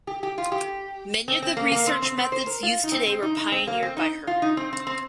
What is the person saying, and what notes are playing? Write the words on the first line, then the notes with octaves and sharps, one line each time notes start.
Many of the research methods used today were pioneered by her.
G4
G4
F4
G4
C4
C4
A#3
A#3
C4
C4
C4
C5
A#4
F4
D#4
C4
C4
D#4
D#4
C4
A#3
C4
D#4
F4
D#4
C4
C4
C4